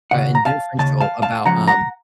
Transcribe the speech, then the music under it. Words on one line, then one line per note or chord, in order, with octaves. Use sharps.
uh, and differential about, um,
D#2 C#3 F#5
A#5
F5 A5
D#2 C#3 A5
F5 A5
F5 A5
C#2 C#3 F3 F#5 A#5
F#5 A#5